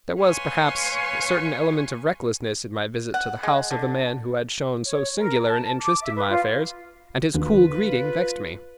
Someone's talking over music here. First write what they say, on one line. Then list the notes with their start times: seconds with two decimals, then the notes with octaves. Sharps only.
There was, perhaps, a certain element of recklessness in my visit to the house of a man who had shown so singular an interest in my affairs, and his cool greeting vexed me.
0.20 B4 C#5 F5 G#5 C6 C#6
3.14 F#5
3.43 G#3 F#5
3.71 D3
4.85 C#5
5.18 A#4
5.47 A5
5.80 D6
6.02 E5
6.16 B4
6.29 F4
7.34 D#2 F4 B4